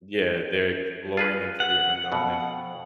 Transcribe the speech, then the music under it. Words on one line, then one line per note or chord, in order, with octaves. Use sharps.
Yeah, they're exploring into the unknown in
F4 G#4 B4
F#5
F2 B2